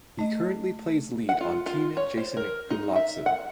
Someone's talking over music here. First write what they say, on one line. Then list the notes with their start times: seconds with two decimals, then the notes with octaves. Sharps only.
He currently plays lead on Team Jason Gunnlaugson.
0.19 A3 D#5
1.29 F#5
1.41 F4
1.66 F4
1.97 C#5
2.17 C5
2.37 A#4
2.70 D#4
2.96 E5
3.26 F#5